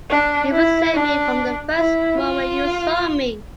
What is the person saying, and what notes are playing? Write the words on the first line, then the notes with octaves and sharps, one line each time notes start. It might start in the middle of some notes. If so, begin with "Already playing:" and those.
You resent me from the first moment you saw me!
D4
E4
D4
E4
F4